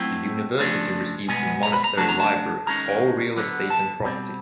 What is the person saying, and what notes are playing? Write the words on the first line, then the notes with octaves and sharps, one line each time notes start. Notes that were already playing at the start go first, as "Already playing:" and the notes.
The university received the monastery library, all real estate and property.
Already playing: F#3 A3 C4 E4 G5
C#3 F3 A3 D4
B2 G#3 B3 G#5
A#5
B5
A#5
C#3 F#3 A3 D4 A5
A#5
A5
D#3 G#3 C#4 A#5
D3 F#3 B3 D4
A5
B2 G3 C4